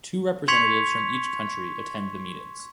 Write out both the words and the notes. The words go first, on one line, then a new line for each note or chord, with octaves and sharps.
Two representatives from each country attend the meetings.
C6 C#6 G#6 B6 C#7 F7